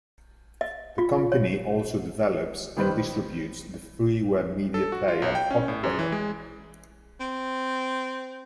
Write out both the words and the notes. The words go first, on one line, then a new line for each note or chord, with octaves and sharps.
The company also develops and distributes the freeware media player PotPlayer.
D#5
F4
C#5
D#3 G3 B4 C5
A4
F#4
F4
B1
G5
C#4
A2
F#2
E3
G#3
C4